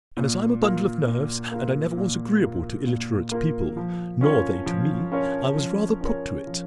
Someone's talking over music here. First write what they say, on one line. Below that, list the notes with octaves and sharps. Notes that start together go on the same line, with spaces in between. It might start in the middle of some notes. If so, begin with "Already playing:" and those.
And as I'm a bundle of nerves, and I never was agreeable to illiterate people, nor they to me, I was rather put to it.
A#2
A#3 F4 A#4
A#2
A#3 F4 A#4
A#2
A#3 F4 A#4
A#2
A#3 F4 A#4
F3
C#4 F4 A#4 C#5
F3
C#4 F4 A#4 C#5
F3
C#4 F4 A#4 C#5
F3